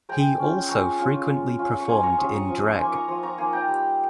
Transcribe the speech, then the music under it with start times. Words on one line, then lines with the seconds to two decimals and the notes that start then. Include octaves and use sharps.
He also frequently performed in drag.
0.09 G#3 G5 A#5
0.39 C#4 F4
0.69 G#3 A#5 C#6
0.99 C#4 F4
1.29 G#3
1.59 C#4 F4
1.80 C#6
1.89 G#3 G#5 C6
2.03 A#5 C#6
2.18 C#4 F4 C6 D#6
2.33 A#5 C#6
2.49 F3
2.63 A#5 C#6
2.78 A#3 D#4 G#5 C6
2.93 A#5 C#6
3.08 F3 C6 D#6
3.23 A#5 C#6
3.38 A#3 D#4 G#5 C6
3.53 G5 A#5
3.68 G3